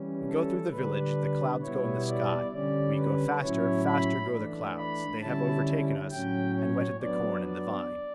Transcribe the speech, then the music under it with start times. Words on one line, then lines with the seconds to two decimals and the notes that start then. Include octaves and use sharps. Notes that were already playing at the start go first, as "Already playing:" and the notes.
"We go through the village; The clouds go in the sky; We go faster, Faster go the clouds; They have overtaken us, And wetted the corn and the vine."
Already playing: E3 G3 C#4
0.27 A4
0.72 D3 G3 D4 B4
1.62 B2 G3 B3 E4 C#5
2.07 D5
2.52 D3 G3 C#4 D5
2.96 B4
3.41 A2 F#3 C#4 E4 C#5
3.86 B5
4.32 E3 A3 D4
4.77 B5
5.21 D3 G3 C#4 E4 A5
6.11 A2 F#3 C#4 G5
6.56 C#5
7.01 F#3 B3 D4 D5
7.45 D5